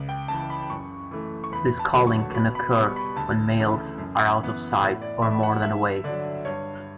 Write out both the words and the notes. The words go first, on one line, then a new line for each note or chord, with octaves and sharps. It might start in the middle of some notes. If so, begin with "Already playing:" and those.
This calling can occur when males are out of sight or more than away.
Already playing: C#2
G5
C#3 E3 A5
B5
F#2 C#6
E3 A3
C#6
E2 B5
A5
D3 F#3 A3
C#6
B2 B5
B5
G3 B3 C#6
B5
D2 A5
C#3 E3 A3
F#2
E3 B3
A2 F#5
D5
E3 A3 E5
F#5
G2 E5
D3 F#3 D5
G2 C#5